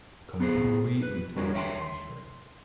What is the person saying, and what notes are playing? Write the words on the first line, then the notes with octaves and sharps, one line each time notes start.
completely tore his hamstring.
B3 G#4 A4 C5
B4
G3 F#4 A#4 C#5
C#5 E5 G5 B5 C6
C6